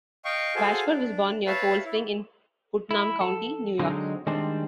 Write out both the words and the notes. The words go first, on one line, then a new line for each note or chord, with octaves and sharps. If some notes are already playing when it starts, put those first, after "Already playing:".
Bashford was born near Cold Spring in Putnam County, New York.
D#5 F5 G5 C#6
F#4 G#4 A4 C5 F5 G#5
D4
B4 C#5 E5 F5 A5
E4
E4
A4
D3 F#3 G#3 C4 D#4
D#3 G3 G#3 C4 D4 C5